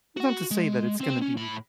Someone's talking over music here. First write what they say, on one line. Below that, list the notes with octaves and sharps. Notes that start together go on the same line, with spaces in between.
Not to say that it's gonna be
F#4 F#5
G#3
C4 C5
C#4
A2 B5